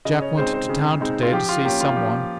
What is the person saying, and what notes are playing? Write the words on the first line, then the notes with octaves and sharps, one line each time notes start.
Jack went to town today to see some one.
C#3 D#5
C#5
G#3 C4 D#4 C5
C5
C#3
G#3 C4 D#4
F4
F3 G4
F4
A#3 C#4 G4
F4
F3 G4